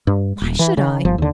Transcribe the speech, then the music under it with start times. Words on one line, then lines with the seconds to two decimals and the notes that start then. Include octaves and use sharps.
"Why should I?"
0.07 G2
0.42 D#1
0.59 E3
0.77 C#3
1.05 G1 F3
1.18 D#2 D3